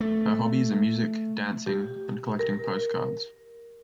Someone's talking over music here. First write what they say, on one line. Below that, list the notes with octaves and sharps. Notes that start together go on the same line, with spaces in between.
Her hobbies are music, dancing and collecting postcards.
A3
G4
A#4